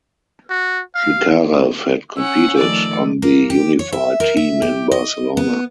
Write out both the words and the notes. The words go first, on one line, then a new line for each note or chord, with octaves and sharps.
Chikarev had competed on the Unified Team in Barcelona.
F#4
F5
C#4 F#5 E6
D#3 F3 A3 D5
A#3
G4
C#5
E5
A#4
E5
G4
D#5
B3